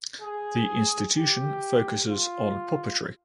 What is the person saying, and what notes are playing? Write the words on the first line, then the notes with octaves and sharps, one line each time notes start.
The institution focuses on puppetry.
G#4
G4
F4